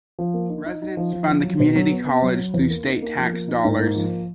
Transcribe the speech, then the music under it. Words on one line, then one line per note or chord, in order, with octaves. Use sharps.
Residents fund the community college through state tax dollars.
F3
A#3
D#4
D#4
D#4
F3
F3
F3
F#3
B2
F#3
B3
B3
F#3
F#3
E2
A#3
D#4
A#3
F3
A#3
D#4
G#2
A#3
F3